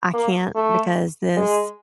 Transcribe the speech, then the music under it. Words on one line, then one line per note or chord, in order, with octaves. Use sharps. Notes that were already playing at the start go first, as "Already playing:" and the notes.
"I can't because 'this'"?
A#3
A3
G#3